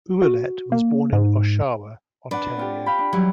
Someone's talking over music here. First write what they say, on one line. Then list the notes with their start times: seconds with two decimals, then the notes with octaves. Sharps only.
Ouellette was born in Oshawa, Ontario.
0.22 F#4
0.72 A#3
1.13 G#2
2.31 D4 B4 D5 F#5
2.57 C4 F4 G4
2.86 F5 G5 B5
2.99 D4
3.13 E3 F#3 G3 E4